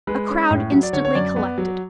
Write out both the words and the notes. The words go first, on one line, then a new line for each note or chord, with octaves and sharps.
A crowd instantly collected.
G#3 B4
C#4
A2
F#3
D5
D3 C#5
C#5
F#2 D5
B3
F#3